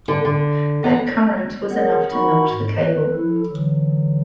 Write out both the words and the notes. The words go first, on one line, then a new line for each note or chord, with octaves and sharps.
That current was enough to melt the cable.
D3
D3
B3
G#4 A#4 C#5 F#5
D#4 F#4 A#4 F#5 B5 C#6
G#2
B4
F3 E4 A4
D3 E3 F#3